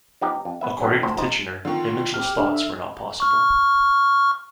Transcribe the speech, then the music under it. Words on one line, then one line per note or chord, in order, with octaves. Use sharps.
According to Titchener, imageless thoughts were not possible.
F3 B3 D#4 G4
F2
B3 B4 E5
E2 G2 B2 F#3 B3 C#4
G1 D2 A2 C5
G#1 F3 D#4 C5
D3 D#3 F4
G4 F6
D3 G4
E5
C#6 F6